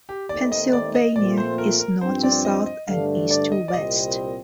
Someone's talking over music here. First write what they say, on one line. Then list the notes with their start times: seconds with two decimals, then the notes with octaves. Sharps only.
Pennsylvania is north to south and east to west.
0.09 G4
0.29 D#2 D#3 A3 C4 D#4 D5
0.52 D#5
0.73 D5
0.95 D#5
1.15 A#2 F3 A3 C4 F4 D5
1.38 C5
1.58 A#4
1.80 A#4
2.01 G2 F3 C4 C5
2.23 D5
2.45 D#5
2.66 D#5
2.88 G2 D3 A3 D4 F5
3.31 D5
3.52 D#5
3.68 D5
3.73 C2 A#2 G3 C4 D#5